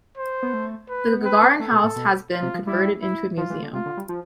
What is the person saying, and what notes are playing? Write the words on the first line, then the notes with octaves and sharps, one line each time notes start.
The Gagarin house has been converted into a museum.
C5
B3
A3
B4
B3
C4 B4
C4
A3 A4
B2
A2
B2
F4
C3
F3
G3 E4
E4
F3 F4
E3
D3
C3 F4
D3
G3
F3